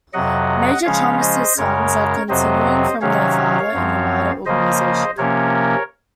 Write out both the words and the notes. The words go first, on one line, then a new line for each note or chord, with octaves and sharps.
Major Thomas' sons are continuing from their father in the wider organisation.
F2 C3 F#3 D#5 F#5
C#3 F3 G#3 C#4 C#5 F5
C5 D#5
F#2 C#3 G#3 A#4 C#5
F2 C3 F#3 C4 C5 D#5
C3 D#3 F#3 C#4 C#5 F5
F#2 F3 C4
C#3 F3 A#3 C5 D#5
C3 F3 A#3 C#4 A#4 C#5